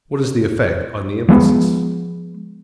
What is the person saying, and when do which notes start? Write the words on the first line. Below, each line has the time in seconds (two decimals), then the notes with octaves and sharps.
What is the effect on the emphasis?
1.29 F3 G#3 A3 B3